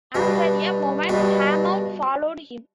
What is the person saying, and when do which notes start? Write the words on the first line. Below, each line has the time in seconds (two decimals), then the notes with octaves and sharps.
After a moment Hammond followed him.
0.15 G2 B2
1.09 G2 B2